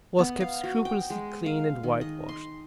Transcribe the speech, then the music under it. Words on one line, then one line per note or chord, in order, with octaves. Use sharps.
It was kept scrupulously clean and whitewashed.
B3
F5
F#4
G5
G#3
F5
D#3
D#5
C6